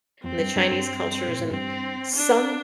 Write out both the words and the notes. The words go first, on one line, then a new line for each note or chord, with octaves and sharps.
and the Chinese cultures and some,
F2 C4
G2
G2
G2
A#2
A2
G2 C4
D4